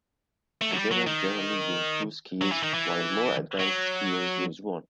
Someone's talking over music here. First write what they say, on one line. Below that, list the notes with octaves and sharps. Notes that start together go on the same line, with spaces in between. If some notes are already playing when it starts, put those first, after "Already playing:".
Beginners generally use two skis while more advanced skiers use one.
A3
F#3
G3
F#3
D#3
F#3
E3
D#3
E3
F#3